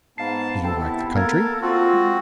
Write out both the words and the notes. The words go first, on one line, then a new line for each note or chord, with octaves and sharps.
"Do you like the country?"
G#2 B3 F5 A5 C7
C3 A4 G5 A5
E4
A#3 A4 A#4 F5 G#6
C4 F4 F#4
G#3